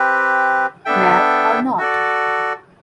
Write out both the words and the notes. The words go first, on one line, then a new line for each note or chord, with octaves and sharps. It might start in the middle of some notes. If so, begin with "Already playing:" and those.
Knave or Not?
Already playing: C4 G4 B4
B3 D4 A4 E5 G5
F#4 A4 D5